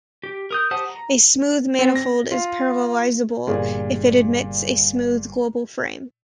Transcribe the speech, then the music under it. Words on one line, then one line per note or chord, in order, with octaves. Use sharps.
A smooth manifold is parallelizable if it admits a smooth global frame.
G4
A#4 D#6 G6
G4 C5 F#5 A5 D#6
A#5
C4
A#6
F4
G1 A#2 G3 G#4